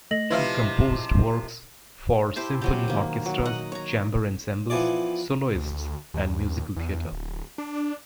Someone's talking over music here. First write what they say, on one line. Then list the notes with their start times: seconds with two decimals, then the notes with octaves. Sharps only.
He composed works for symphony orchestras, chamber ensembles, soloists and musical theatre.
0.11 A3 D#5 A#6 F#7
0.30 C3 F3 E4 B4 E5 F5
2.36 E4 G4 C5 A5
2.62 C3 F#3 G4
2.88 D#3 A#3
3.26 F#3
3.46 D#5 F#5
3.72 C#5 A#5
4.70 E3 F3 B3 E4 G#4 D5
5.55 D2
6.14 D#2
6.76 E2
7.12 D1
7.58 D4